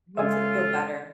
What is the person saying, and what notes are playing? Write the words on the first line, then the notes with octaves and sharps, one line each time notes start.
helps it feel better.
C#3 G#3 C#4 F4 A4 E5 G#5